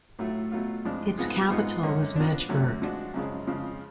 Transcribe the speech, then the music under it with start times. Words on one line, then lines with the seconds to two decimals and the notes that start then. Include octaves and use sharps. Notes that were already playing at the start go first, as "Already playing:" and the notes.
Its capital was Magdeburg.
0.19 A2 F#3 A3 F4
0.52 B2 F#3 A3 F4
0.85 F2 F3 G#3 D4
1.18 G#2 F3 B3 F4 G#4
1.50 G#2 G#3 B3 F4 G#4
1.83 F#2 D3 G#3 C#4
2.16 F3 B3 D4
2.49 F#2 D3 F#3 A3
2.82 F3 G#3 D4 F#4
3.14 F#2 C#3 F3 G#3
3.47 F2 C#3 F3 G#3